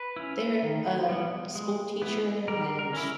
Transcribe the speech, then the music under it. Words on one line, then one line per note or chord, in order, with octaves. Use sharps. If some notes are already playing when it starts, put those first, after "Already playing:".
They're a school teacher, and
Already playing: B4
C#4 E4
D#3
G3 B3
G#3
B3 E4
G3 A#4
A#4
C#4 E4